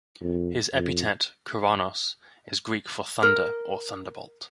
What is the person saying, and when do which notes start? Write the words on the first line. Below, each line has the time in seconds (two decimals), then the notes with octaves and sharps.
His epithet "Keraunos" is Greek for "Thunder" or "Thunderbolt".
0.21 F2
0.74 F2
3.23 A#4